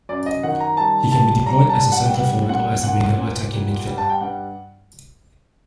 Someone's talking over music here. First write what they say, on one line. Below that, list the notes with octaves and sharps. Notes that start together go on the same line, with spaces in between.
He can be deployed as a centre-forward or as a winger or attacking midfielder.
F#2 D5
D#5
D#3 F#5
A#5
G3 A5
G3 A5
G3 A#5
A5
G3
F#5
G5
G3 F#5
A#2 F#5
A#2 F#5
A#2
G3
G3
A5
G5
G2 F#5